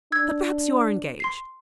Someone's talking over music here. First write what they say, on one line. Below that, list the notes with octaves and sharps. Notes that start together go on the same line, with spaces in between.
'But perhaps you are engaged.
D4 E6 G#6
C6 C7